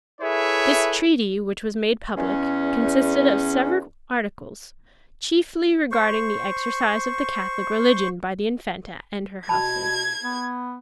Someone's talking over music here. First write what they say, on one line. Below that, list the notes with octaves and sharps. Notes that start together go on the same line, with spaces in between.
This treaty, which was made public, consisted of several articles, chiefly regarding the exercise of the Catholic religion by the infanta and her household.
E4 G#4 A4 B4 C#5 E5
E2 C#4
C5 C#6
B2 A5 B5 G#6
B3